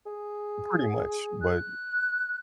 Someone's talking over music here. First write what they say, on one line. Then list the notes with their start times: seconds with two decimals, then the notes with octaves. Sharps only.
Pretty much, but
0.06 G#4
1.41 F#6